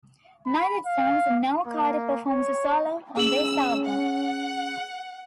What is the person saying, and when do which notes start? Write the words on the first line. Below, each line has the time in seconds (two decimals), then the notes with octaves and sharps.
Neither Jones nor Carter performs a solo on this album.
0.46 B5
0.86 F5
1.67 A#3
2.28 C#5
3.17 C#4 G#4 E6 F#7
3.84 F#5